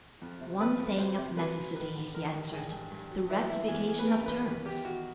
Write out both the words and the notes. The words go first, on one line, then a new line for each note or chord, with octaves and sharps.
"One thing of necessity," he answered--"the rectification of terms."
F2
C3
F2 B4
F2
F#3 C5
C3
F#3 B4
F#3
A1 B4
D3
A1 A#4
G2
A1 G#4
G2
G2
F#3
E3 E4
E3 E4
E2 G#4
E2 G#4
B4
C#3 A#4
E2 B4
E2 B4
E2 G4
D#3 F#4